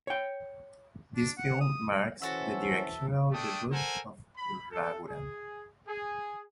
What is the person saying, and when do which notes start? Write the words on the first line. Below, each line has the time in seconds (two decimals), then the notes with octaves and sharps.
This film marks the directorial debut of Raghuram.
0.07 C#5 G5
1.16 D4
1.38 F#5
1.60 D#6
2.22 E3 C#4 F#4 A4 C5 E5 F#5
3.32 A3 D4 A4 G5 D#6
3.72 A4 A#4 C5 F#5 G#5
4.37 B5
4.71 A4
5.08 G#4
5.87 G#4